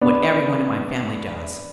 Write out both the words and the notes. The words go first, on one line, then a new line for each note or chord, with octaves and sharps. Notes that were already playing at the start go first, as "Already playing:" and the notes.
What every one in my family does.
B3 D4